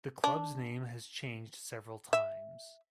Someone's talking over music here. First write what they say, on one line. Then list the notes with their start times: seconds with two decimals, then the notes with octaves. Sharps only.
The club's name has changed several times.
0.24 D4
2.13 E5